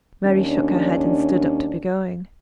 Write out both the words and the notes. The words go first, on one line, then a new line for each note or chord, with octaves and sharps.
Mary shook her head, and stood up to be going.
D#2 C#4 D4